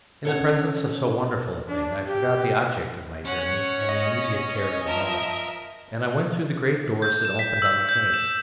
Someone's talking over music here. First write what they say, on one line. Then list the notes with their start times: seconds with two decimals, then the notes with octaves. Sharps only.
In the presence of so wonderful a thing I forgot the object of my journey and the immediate care of the moment, and I went through the great doors that opened on the Place.
0.25 C#4 A4 C#5 F#5
1.67 D4
2.07 G4
3.25 C#4 C#5 F#5
3.89 D#5
4.86 F3 A#4 E5
7.02 G6
7.25 E7
7.39 B6
7.62 E6
7.89 G6
8.14 E7